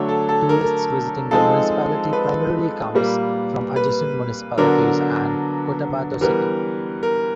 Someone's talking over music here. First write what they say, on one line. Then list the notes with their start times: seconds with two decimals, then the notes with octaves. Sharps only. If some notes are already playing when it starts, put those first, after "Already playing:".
Tourists visiting the municipality primarily comes from adjacent municipalities and Cotabato City.
Already playing: D3 F#3 A3 D4 C#5
0.09 A4
0.29 A4
0.49 A#4
1.31 F3 G#3 C4 D#4 A4
2.13 B4
2.95 A#2 G3 A#3
3.76 B4
4.57 D3 F#3 B3 D4 A#4
6.21 E3 G3 B3 A#4
7.03 A#4